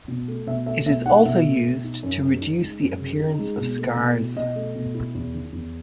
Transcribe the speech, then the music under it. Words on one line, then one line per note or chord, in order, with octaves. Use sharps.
It is also used to reduce the appearance of scars.
B2
A3
B2 E5
A3 E5
B2 E5
D#4 F#5
B2 E5
A3
B2
D#4
F#2
C#3
D#4
G#3
F#2
C#3
D#4
G#3
B2
A3
B2
E4
B2 D#5
A3
B2
E4
E2
D#3
E2